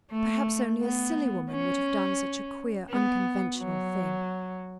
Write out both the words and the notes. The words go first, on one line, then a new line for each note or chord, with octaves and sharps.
Perhaps only a silly woman would have done such a queer, unconventional thing.
A3
B3
C#4
B3
F#3